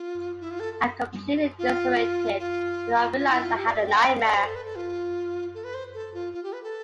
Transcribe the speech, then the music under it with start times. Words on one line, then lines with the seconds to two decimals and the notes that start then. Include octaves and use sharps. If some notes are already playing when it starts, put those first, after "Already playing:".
I'm completely disoriented before I realize I've had a nightmare.
Already playing: F4
0.41 E4
0.51 F4
0.60 A4
1.59 F4
2.39 F4
3.18 F4
3.30 E4
3.44 F4
3.57 G4
3.67 D5
3.76 E5
3.87 G5
3.96 F5
4.07 G5
4.16 F5
4.26 D5
4.36 C5
4.46 A4
4.55 B4
4.65 A4
4.76 F4
5.55 A4
5.64 B4
5.74 C5
5.94 A4
6.14 F4
6.33 F4
6.43 G4
6.53 B4
6.63 A4